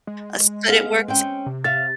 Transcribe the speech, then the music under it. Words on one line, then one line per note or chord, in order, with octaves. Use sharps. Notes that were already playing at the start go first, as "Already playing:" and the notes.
uh, s but it works
G#3
B3 G#4 F5
C4 C#4 G5
C3
C#5 E5 F5 A6